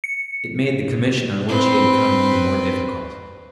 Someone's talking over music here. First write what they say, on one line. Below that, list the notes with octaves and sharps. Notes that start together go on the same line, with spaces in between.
It made the commission on which he had come even more difficult.
C#7
C4 B4